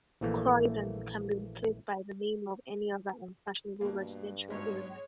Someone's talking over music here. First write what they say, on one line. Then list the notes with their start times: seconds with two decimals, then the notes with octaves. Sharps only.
"Croydon" can be replaced by the name of any other unfashionable residential area.
0.21 A#1 E3 A3 A#3
3.81 G2 B2 A#3
4.50 G#2 B2 G#3 C#5